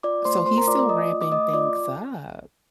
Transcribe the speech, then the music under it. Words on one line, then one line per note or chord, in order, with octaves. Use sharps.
So, he's still ramping things up.
F4 D5 D6
A3 C5 C6
A3 C5 C6
A#4 A#5
F4 D5 D6
D5 D6
F4 D#5 D#6
A3
D6
A3 D#5 D#6
F4 D5 D6